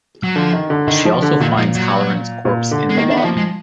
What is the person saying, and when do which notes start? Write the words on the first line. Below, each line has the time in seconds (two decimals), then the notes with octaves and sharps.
She also finds Hallorann's corpse in the lobby.
0.23 F#3
0.36 D3 F3
0.53 D#3
0.70 D3
0.87 D3 D#3
1.05 F3
1.22 D3
1.40 A#2 D#3
1.57 F3
1.75 F#3
2.45 A#2
2.71 D3
2.90 G#3
2.97 D#3 A#3
3.11 D4
3.18 B3
3.24 F3 A#3
3.37 G#3